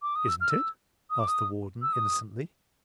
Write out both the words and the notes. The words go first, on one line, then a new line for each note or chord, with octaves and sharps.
"Isn't it?" asked the warden, innocently.
D6
D#6
E6
F6
E6
D#6
D6
D#6
E6
D#6